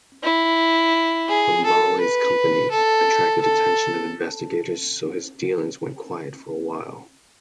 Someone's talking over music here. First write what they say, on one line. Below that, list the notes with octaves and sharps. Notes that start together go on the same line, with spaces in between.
Hambali's company attracted attention of investigators so his dealings went quiet for a while.
E4
G#4
A4
B4
A4
A4